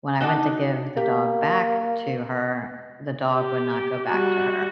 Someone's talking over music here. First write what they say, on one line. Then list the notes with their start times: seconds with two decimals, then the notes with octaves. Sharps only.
when I went to give the dog back to her, the dog would not go back to her.
0.20 D4 D#4 F#4
0.97 A#3 G4
3.33 G4
4.07 G3 F#4